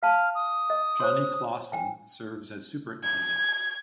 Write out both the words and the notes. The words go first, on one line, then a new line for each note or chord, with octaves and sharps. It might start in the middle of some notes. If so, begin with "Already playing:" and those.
Johnny Clawson serves as Superintendent.
F5 A5 F6
D#6
D#5
C5 C#5 C6
G5 G#5
G#6